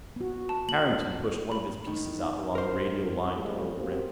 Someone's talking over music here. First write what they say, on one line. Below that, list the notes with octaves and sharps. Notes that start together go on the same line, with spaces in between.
Harrington pushed one of his pieces out along a radial line toward the rim.
B3 F#4
A5
A#3 F#7
B5
D#3
A#4 C5
F#2 A2 F3 G3 G#3
A#3 C4 C#4 F#4 G4 C5